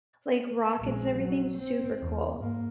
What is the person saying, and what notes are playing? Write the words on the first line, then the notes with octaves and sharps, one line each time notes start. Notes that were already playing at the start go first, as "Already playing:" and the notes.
like, rockets and everything. Super cool.
A#1 G#3
F#3
C4
E2
G#2 A#3